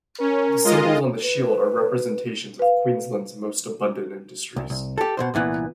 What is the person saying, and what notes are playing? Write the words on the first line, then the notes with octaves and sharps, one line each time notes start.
The symbols on the shield are representations of Queensland's most abundant industries.
C#4 A#4
G#3 F4 D#5
B4
B4 F5
C2
C2
G4 A4
B2 D#3 C5
C2 A#2 E3 B3